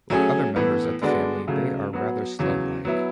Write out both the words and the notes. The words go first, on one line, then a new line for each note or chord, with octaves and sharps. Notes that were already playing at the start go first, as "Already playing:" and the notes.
Like other members of the family they are rather sluglike.
F#3 A3 C#4 G#4
A2 E3 B3
D3 G#3 B3 D4 F#4
C#3 F#3 A3
F#3 B3 F#4
E2 C#3 F#3
F#3 B3 E4